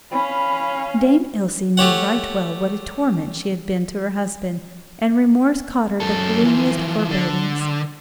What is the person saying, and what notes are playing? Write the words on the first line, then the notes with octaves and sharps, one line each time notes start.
Dame Ilse knew right well what a torment she had been to her husband, and remorse caused her the gloomiest forebodings.
C#4 F5 B5
A3 G4 C#5 F#5
F#2 A4
E3 F3
D3